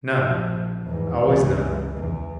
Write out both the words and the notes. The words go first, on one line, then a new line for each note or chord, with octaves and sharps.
None--always "none."
A#1 F3
E2 G#2
C#2 E3
E2